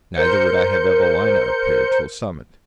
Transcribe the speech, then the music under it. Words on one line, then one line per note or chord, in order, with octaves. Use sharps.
Neither would I have Evelina appear till summoned.
A#4 C5 G6 C#7